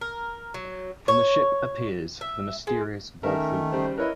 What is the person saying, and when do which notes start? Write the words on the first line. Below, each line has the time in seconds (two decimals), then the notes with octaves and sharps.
From the ship, appears the mysterious Volthoom.
0.01 A#4
0.54 F#3
1.08 C#5
2.21 E5
2.67 G#3
3.23 D#3 A3 C#4 D#4 A#4 E5
3.72 C#3 G3 C5
3.98 E4 A#4 B4 C#5 D#5